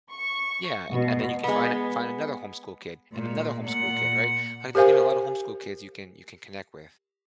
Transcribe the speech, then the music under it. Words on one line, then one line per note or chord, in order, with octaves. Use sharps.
Yeah, and and then you can find a find another homeschool kid and another homeschool kid, right? Like, there's gonna be a lot of homeschool kids you can you can connect with.
C#6
B2
G#3 B3
A#2 G#3
A#2 F#5
G4 A#4 C5 F5 G#5